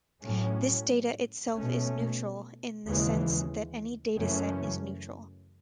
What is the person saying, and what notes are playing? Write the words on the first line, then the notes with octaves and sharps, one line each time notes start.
This data itself is "neutral" in the sense that any dataset is neutral.
A2 F#3 C#4
B2 A3 C#4
D#2 C#3 E3 G#3
F#2 C#3 E3 A3 C#4